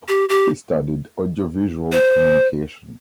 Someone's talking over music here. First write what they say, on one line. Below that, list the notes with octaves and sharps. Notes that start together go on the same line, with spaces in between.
He studied Audiovisual Communication.
G4
G4
C5